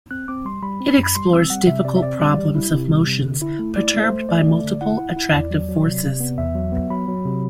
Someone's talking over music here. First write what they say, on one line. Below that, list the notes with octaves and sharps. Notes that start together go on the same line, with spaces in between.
It explores difficult problems of motions perturbed by multiple attractive forces.
C4 F#6
C4 D6
G3 C6
G3 B5
C4
F#2
B5
G3 C6
C4 E6
G3 F#5
C3 E5
C3 D5
E5
C4 D5
G3 D5
G3
E4
C3
G3
C3
D3
E4
A3
E4 D5
A3
C5
A3
A3 D5
A3
D3
E4 F#5
E4
E4
E2 D5
F#3
F#3
C3
C3
B3
E2 E5
F#3
B3
F#3 B5
F#3
C3